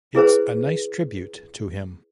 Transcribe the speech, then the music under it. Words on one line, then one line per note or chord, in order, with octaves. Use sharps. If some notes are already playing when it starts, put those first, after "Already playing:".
It's a nice tribute to him.
E4 G#4 B4 C5